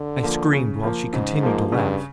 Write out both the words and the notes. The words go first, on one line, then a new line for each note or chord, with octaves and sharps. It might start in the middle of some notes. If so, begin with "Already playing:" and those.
I screamed while she continued to laugh.
Already playing: D3
F3 A#3
C#3
F3 A#3
G#2 C#3
F3 A#3
G2 C#3